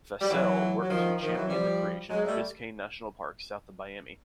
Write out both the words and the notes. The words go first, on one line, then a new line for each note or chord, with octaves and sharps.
Fascell worked to champion the creation of Biscayne National Park, south of Miami.
G3
E3 F#3
F#3
D#3 F3
D#3 F3
E3 F#3
F3 G3
F#3 G#3
G3 A3